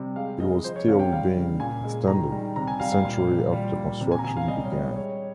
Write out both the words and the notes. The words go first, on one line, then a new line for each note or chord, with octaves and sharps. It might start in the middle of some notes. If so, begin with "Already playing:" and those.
It was still being extended a century after construction began.
Already playing: C3 G3
G#3 F5
G#3 D#5
F3 C5
C#5
C3 F5
G5
G3 F5
C#3
A#2 G#5
G#3
D#3 A#5
G3
C3 A#5
G#5
G3 F5
F5
A#2
F3
G3
A#2
C3
G#5
A#5
C3 G#5
F5
G3 D#5
C#5
G3 D#5
G#3 C#5